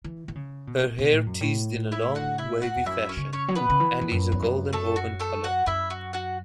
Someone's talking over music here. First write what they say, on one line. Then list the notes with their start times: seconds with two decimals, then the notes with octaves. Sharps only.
Her hair teased in a long wavy fashion, and is a golden-auburn color.
0.04 E3
0.28 E3
0.35 C#3
0.67 B2
0.99 B2
1.12 A2
1.26 F#2
1.41 A2
1.92 E4 E5
2.15 F#4 F#5
2.38 E4 E5
2.62 F#4 F#5
2.76 E2
2.86 F#2 E4 E5
3.09 C#4 C#5
3.17 C#3
3.33 C#4 C#5
3.48 F#3
3.55 B2 B3 B4
3.70 C#3
3.80 E3
4.01 E2
4.11 F#2
4.32 E2
4.42 F#2
4.73 A3 A4
4.96 F#4
5.20 A3 A4
5.44 F#4 F#5
5.66 F#2 E4 E5
5.90 F#4
6.13 F#4 F#5